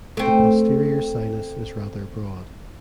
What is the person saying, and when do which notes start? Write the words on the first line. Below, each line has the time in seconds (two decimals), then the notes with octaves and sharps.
The posterior sinus is rather broad.
0.17 A3 C4